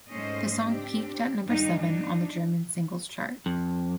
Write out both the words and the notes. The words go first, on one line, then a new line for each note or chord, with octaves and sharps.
The song peaked at number seven on the German Singles Chart.
G#2 A3 C#4 C5 D#5
C4 D4 G4
G2 D#3 D4 D#4
D4 D#4
F2